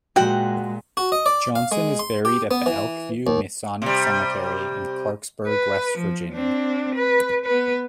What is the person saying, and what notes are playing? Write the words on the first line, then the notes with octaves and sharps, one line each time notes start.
Johnson is buried at the Elkview Masonic Cemetery in Clarksburg, West Virginia.
A#2 G#3 F#4 F#5 G5
F#4
D#5
D5
F5
G#3
C6
G4
B3
E3
D#2
C3 G3
B4
F3
C4 D4
B4
B3 B4